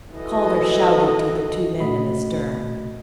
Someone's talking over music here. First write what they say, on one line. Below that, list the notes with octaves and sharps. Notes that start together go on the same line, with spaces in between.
Calder shouted to the two men in the stern.
E3 F#4 A4 D#5
A#2 A3 F#4 D#5 B5